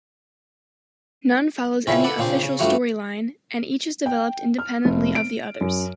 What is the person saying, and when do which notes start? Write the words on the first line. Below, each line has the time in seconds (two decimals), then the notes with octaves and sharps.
None follows any "official storyline," and each is developed independently of the others.
1.87 A#2 C#3 C4 C#4 E4
2.04 A4 B4 D5 F#5 A5
2.18 A#2 C#3 C4 D4 C5
2.43 C#3
2.59 G2 F3 G3 A3 F#4
4.06 G5
4.59 F6
4.85 F1
5.15 D7
5.61 F#2